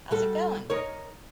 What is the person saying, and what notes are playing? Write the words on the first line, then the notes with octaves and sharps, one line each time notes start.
How's it going?
G3 F#4 A4
D#4 A#4 C#5